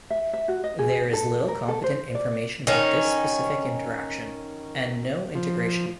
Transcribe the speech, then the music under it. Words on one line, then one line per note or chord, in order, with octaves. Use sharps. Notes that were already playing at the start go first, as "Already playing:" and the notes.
There is little competent information about this specific interaction, and no integration.
E5
E5
F#4
D#5
G#4
A4
A#4
A4
C5
D5
D#3 C#4
F3